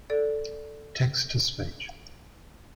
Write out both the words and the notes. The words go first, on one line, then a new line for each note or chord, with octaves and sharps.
Text to Speech.
A4 D5